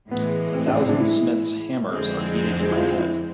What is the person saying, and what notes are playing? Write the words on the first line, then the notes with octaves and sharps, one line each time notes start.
A thousand smiths’ hammers are beating in my head!
A2 E3 G#3 B3
C4
D4
C4
D4
E4
F2 D3 G#3 C4
E4
F4
E4